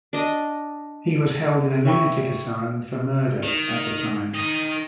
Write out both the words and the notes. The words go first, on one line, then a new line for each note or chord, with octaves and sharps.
He was held in a lunatic asylum for murder at the time.
D4 D#5
C#5 E5 G5 B5 C#6
D#3
D#3 D#5